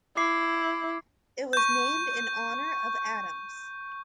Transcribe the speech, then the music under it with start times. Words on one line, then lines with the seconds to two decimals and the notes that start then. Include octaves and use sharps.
It was named in honor of Adams.
0.17 E4 D6 C7
1.53 C#6 G6